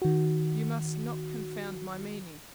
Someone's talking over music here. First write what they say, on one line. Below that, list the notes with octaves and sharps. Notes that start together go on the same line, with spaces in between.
You must not confound my meaning.
D#3 F#4